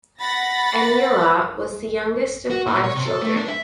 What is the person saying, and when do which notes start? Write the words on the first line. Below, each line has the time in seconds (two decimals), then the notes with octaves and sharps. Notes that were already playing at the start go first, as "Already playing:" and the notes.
Aniela was the youngest of five children.
0.19 F#5 B5 A6 A#6
2.50 F#4
2.67 A#2
2.84 C#5
2.95 C3
3.06 A4
3.22 A3
3.36 D4
3.48 E5